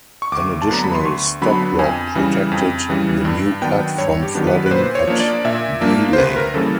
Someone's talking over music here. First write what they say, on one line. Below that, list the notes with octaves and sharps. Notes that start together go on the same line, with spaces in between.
An additional stop lock protected the new cut from flooding at Beeleigh.
C#6
D2 D6
A5
D3 F#3 B3 D4 A#5
B5
C6
D2 C#6
D3 F#3 B3 D4 B5
F2 G#5
C#3 E3 G3
F2
C#3 E3 G3
G2
D#3 F#3 B3 D4 G5
G2 C#5
G4
D#3 F#3 B3 D4
B4
B4
A#2 C5
C#5
F3 A#3 D4
D5
A#2 E5
F3 A#3 D4
C5
D2 B4
A#4
C#3 E3 G3 A#3 A4